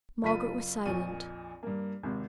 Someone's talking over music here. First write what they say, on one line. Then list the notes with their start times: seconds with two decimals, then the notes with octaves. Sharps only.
Margaret was silent.
0.24 F#1 F4 B5 B6 D#7
0.85 A#1 F2 A#2 C#6 D#7
1.63 G2 A#3
2.03 G#1 C3